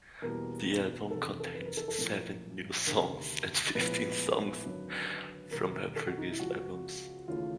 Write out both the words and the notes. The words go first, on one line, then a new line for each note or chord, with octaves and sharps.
The album contains seven new songs and fifteen songs from her pervious albums.
E2 B2 G3 A#3 A#4
F1 E2 C3 E3 A4
A4
B4
A#4
A4
A4
A#1 A2 F3 A#3 A#4
D2 C3 D#3 A#4
A#1 A2 F3 G#3 B3 B4
G#1 F#2 D3 F#3
E1 D#2 D#3 G3 A#4
A4
F#4
D#4
E4
C#2 C#3 F3 F#4
D#2 C#3 E3 A3 F4